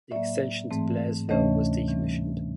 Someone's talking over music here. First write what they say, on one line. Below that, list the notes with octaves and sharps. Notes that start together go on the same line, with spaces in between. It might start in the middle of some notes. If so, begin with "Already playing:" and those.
The extension to Blairsville was decommissioned.
A2 F#3 A#3 D5 E5
G#2 E3 A3 C4
D2 C3 E3 A3 C#4 C#5 D#5
A2 E3 G3 C4